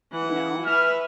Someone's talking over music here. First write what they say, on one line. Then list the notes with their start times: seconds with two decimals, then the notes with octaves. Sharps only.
you know?
0.12 E3 F#5
0.66 B4 E5 F6